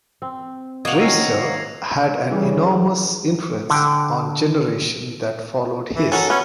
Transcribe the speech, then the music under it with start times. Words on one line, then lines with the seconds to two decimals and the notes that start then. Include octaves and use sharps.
Dreiser had an enormous influence on the generation that followed his.
0.22 C4
0.85 A#3 F#4 D#5 G#6 C#7 F7
1.01 D#3 C#4 E6 A#6 C7
2.31 C#3 E3 G3
3.70 D3 G5
5.96 E3
6.12 C#4 F#4 A4 A#4
6.30 B3 C#4